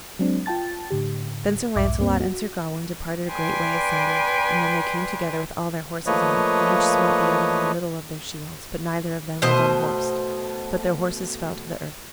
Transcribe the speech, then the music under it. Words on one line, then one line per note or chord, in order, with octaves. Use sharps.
Then Sir Launcelot and Sir Gawain departed a great way asunder, and then they came together with all their horses' might, and each smote the other in the middle of their shields, but neither of them was unhorsed, but their horses fell to the earth.
F#3 G#3 C4 D4
F4 G5 A5 A6
A2 D3 G4
B1 E2 G#2 E5 D6
C#2 G2 A#3 C4
F#4
B4 D5 G5 G#5 C6
F3 A3 A#3 B4 C#5 D#5
B2 A3 C5 D#5